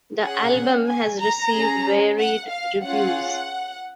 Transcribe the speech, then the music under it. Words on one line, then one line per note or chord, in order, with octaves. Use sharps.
The album has received varied reviews.
C#4 G#4 F#5
G#5
A#5
C#4 G#4
F#5
F5
C#4 F4 G#4 F#5